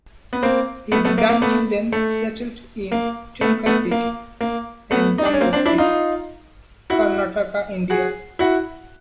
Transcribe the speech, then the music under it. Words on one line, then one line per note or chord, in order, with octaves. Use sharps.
His grandchildren settled in Tumkur City and Bangalore City, Karnataka, India.
B3
A#3 C4
A3 B3
A3 B3
A#3
A#3
A3 B3
A3
A#3
A3 B3
A3 B3
A#3
A#3
A3 B3
D#4
D4
C#4
A#3 C4
C4 D4
D4 E4
D#4 F4
E4 F#4
F#4 G#4
E4 F#4